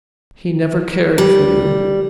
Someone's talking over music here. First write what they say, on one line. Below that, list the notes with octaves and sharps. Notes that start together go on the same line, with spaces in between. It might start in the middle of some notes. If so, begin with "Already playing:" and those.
He never cared for you.
G3